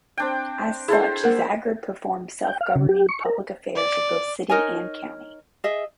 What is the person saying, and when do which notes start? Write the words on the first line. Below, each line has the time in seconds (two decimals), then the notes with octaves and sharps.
As such, Zagreb performs self-governing public affairs of both city and county.
0.17 C4 D4 G5
0.88 E4 G#4 A4 C5
1.23 A#3 A#4
2.44 G5
2.61 F5
2.75 C#3
2.89 G4
3.09 C#6
3.25 A#4
3.76 D5
4.49 D#4 A#4 C#5 G#5
5.64 G#4 D#5 E5